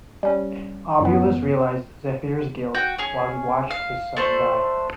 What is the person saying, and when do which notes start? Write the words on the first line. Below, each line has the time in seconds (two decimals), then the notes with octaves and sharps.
Oebalus realizes Zephyr's guilt while he watches his own son die.
0.23 G3 C#4
1.01 F#2 A2 B3
2.75 F#4 G5
2.98 C#4 G#4
3.70 F5
4.17 A3 D4 C5